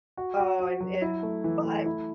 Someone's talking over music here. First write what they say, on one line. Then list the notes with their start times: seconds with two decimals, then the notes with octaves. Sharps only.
Oh, and and but
0.17 F#4
0.39 F#4
0.60 F#4
0.81 F#3
1.02 E4
1.23 A3
1.44 E3
1.65 A3
1.86 E4